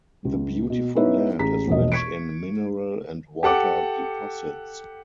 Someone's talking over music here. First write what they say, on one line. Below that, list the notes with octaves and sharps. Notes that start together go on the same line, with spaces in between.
The beautiful land is rich in mineral and water deposits.
C#2
B2
B3 D#4 E4 B4 C#5 E5
A1 G#4 A#5 B6
E1 A#1 D#5
C#6 G#6 B6 C#7 D7
G4 A4 F#5 D6